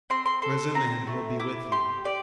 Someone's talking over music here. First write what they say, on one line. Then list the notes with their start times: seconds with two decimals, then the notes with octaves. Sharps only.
Razumihin will be with you.
0.10 C4 C6
0.26 C6
0.42 A4 C6
0.75 C4 A#5
1.07 A3
1.39 E4 D6
1.72 G4 C6
2.04 G4 D5